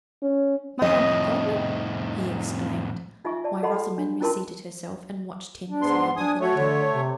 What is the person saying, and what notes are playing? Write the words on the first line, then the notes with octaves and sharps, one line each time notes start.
"My uncle Godwin!" he exclaimed, while Rosamond reseated herself, and watched him as he opened the letter.
C#4
F2 A2 D#5
D#4 F4 E5 G#5 C#6
D5 A5
A4 D#5 F#5 A5 B5 C6
D4
C#4 E4 F4 A#4 A5 C6
D4
G#2 B3 C6
D4 G#5 D#6
A3 F#4 C#5
D3
C3